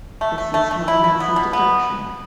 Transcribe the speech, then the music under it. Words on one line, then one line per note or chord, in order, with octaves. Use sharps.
This is known as a "deduction".
A3
A3
A3
A3
E4
E4
B3
B2
B3